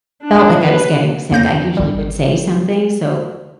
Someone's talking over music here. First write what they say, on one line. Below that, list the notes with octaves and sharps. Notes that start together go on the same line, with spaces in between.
felt like I was getting sick, I usually would say something, so
D4
B4
F2 A#3 G6 A#6
G#1 G3